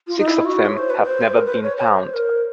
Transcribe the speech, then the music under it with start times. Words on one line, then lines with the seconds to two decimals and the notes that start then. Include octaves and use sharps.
Six of them have never been found.
0.08 F4
0.19 D#4
0.27 E4
0.45 F#4
0.65 C#5
0.78 C5
0.90 B4
1.03 C5
1.37 A#4
1.45 B4
1.54 C5
1.63 C#5
1.77 C#5
1.88 C5
2.14 A#4